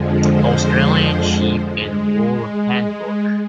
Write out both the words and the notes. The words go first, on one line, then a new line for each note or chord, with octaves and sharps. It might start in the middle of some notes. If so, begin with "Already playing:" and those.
Australian Sheep and Wool Handbook.
Already playing: F2 D3 F3 G#3
C5
G#3